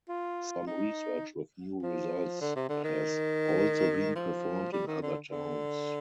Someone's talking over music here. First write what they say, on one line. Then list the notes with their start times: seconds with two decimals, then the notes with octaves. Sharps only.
Some research with new results has also been performed in other towns.
0.09 F4
0.67 D#4
1.82 F3
2.41 D3
2.56 C3
2.69 D3
2.84 D#3
4.15 F3
4.72 G3
4.87 D#3
5.02 D3
5.31 D3